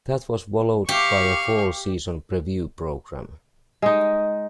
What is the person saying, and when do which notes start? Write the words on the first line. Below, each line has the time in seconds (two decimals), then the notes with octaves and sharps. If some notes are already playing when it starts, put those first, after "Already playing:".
That was followed by a fall season preview program.
0.89 G4 F5 C#6
3.82 G#3 D#4